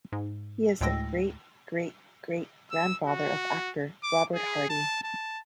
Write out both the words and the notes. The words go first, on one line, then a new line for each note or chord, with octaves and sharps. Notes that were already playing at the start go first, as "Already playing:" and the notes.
He is the great-great-great grandfather of actor Robert Hardy.
G#2
D2 A2 G#3 G5 E6 A#6
E6
F#4
D6
G#4
A5
A5